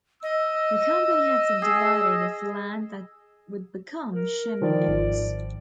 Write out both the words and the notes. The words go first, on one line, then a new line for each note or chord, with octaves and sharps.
The company had subdivided of land that would become Sherman Oaks.
D#5 E6
G#4
A#4
D#3 F3 D5
G#1